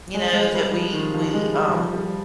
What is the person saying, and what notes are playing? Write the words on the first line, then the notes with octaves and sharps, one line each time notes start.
you know, that we we, um
G#3
G#3
G3
F3
D#3
F3
G#3
G3
F3
G3